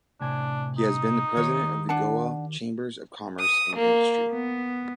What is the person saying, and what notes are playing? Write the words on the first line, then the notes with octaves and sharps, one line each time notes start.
He has been the president of the Goa Chambers of Commerce and Industry.
A2 C3 D4 G#5
D#4
D#3 G4 C#5
D4 F#5 A5
D#6
A#3
B3